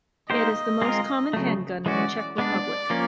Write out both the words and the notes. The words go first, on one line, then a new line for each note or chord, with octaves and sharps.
It is the most common handgun in the Czech Republic.
A#3 D#4 G4 C5 D#5
G#3 C4 F4 A#4
C#3 F#3 A3
E3 G#3 C#4 F#4 D5
G#3 B3 D4 D5
F3 A#3 C#4